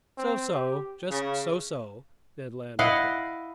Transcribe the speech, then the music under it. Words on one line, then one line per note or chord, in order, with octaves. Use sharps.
"So-so, just so-so!" Ned Land replied.
C4
G4
C#3
E4 D#5 F5 F#5